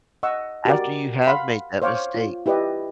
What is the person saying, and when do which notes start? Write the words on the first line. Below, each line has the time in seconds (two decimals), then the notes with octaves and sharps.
after you have made that mistake
0.23 D#5 F#5 C#6 E6
0.65 F#4 G4 A#4 D5
1.27 F5 F#5 B5 C6
1.82 C5 C#5 F5 C#6 D6
2.14 F4
2.46 E4 G4 B4 D5 D#5